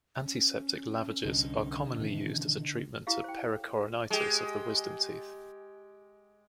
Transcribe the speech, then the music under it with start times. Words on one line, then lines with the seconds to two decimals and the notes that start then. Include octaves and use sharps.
Antiseptic lavages are commonly used as a treatment to pericoronitis of wisdom teeth.
0.25 C#4
1.25 C2 D3 D#4
1.99 B2 D#3 E3
3.07 E4 G4 F5
3.24 C5 G5
4.10 G#3 G4